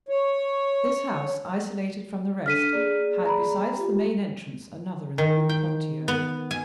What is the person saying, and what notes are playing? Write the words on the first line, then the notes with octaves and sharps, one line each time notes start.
This house, isolated from the rest, had, besides the main entrance, another in the Rue Ponthieu.
C#5
D4 A4 F6 B6 D#7
A#3 G#4 D5
A#5 B5
F4 G4
D#3
G5
B3
G#5